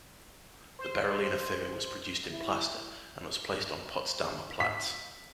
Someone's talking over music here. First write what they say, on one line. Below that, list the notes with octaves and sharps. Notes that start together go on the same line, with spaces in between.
The Berolina figure was produced in plaster and was placed on Potsdamer Platz.
C5
E4
B6